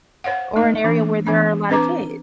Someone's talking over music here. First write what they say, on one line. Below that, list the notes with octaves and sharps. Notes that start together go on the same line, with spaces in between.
Or an area where there are a lot of kids?
C5 C#5 F5 F#5
A3 D#4 D#5
E3 A#3 D4
E3 B3 D4
C4 D4 B4 C5 A#5 D6